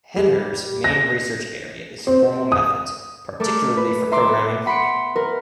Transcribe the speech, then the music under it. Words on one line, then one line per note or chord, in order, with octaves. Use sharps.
Hehner's main research area is formal methods, particularly for programming.
G3
A#6
C4
D#6
A3 A4 A#4 D6
B4
E5 A#5 C6 D6
B3
F#5 B5 C6 C#7 D7
A#4 B4